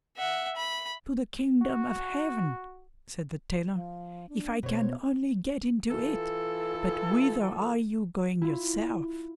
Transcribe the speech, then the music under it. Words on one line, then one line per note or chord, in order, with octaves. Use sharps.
'To the kingdom of Heaven', said the Tailor, 'if I can only get into it'--'but whither are you going yourself?'
E5 F#5
B5
F#4
F3
D4
B2 C5 C#5
E3 F4 A4
E4 F4